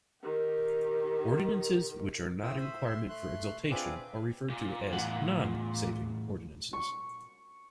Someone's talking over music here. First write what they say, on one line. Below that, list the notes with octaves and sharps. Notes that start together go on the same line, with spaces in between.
Ordinances which are not a requirement for exaltation are referred to as non-saving ordinances.
D#3 G4
A3 C4 E4 C5 D#6 E6
C5 E5 B5
E5 C6
A3 C6 F#6
C4 D4 F4 G#4 B4 D6
A#2
E2 A2 F#5
C#6